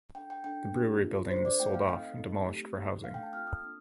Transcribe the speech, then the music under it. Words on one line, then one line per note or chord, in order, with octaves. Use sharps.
The brewery building was sold off and demolished for housing.
D4 A4 G5
G5
D4 A4 G5
A#3 D4 G4
C4 F4 A4
D4 A4 C5
D5
A3 C4 F4 G5
F5
C4 D#4 A4 D#5
C4 D#4 A4
A3 C4 G4
A#3 D#4 A4
A3 D4 A4 F5
G5
A5
C4 F4 A4 F6
D#6
A#3 D4